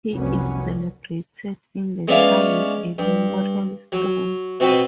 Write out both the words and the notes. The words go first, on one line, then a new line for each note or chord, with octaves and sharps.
He is celebrated in the town with a memorial stone.
F1 C2 F#3 B3 C#4
G#3 B3 C#4 D4 E4 F5
G2
F#3
B2 C4 F#4 B4 B5